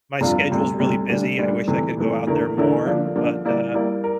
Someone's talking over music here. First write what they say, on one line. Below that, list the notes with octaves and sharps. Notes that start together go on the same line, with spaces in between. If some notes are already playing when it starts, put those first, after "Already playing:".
my schedule's really busy, I wish I could go out there more, but, uh,
F2 C3 G3 D4 F4
D2 C3 G3
D2 C3 G3
D2 D3 G3 D4
D2 D3 G3 D4
C3 E3 A3
C3 E3 A3
E2 D3 A3 E4 A#4
E2 D3 A3 E4 A#4
D3 F3 A#3 D4
D3 F3 A#3 D4
G3 A#3 E4 A#4 D5
G3 A#3 E4 A#4 D5
A#4